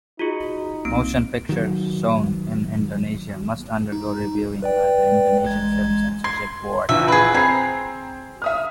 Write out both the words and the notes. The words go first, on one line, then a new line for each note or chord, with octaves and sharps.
Motion pictures shown in Indonesia must undergo reviewing by the Indonesian Film Censorship Board.
D#4 F4 F#4 G#4
C2 A#3 C4 D7
D#3 F#3
D#4
B4 D5 G5
A1 G#3 G#6
C6 G#6
A#1 E2 E5
G#4 B4
C4 G#4 A#5 C7
E5 D#6 F6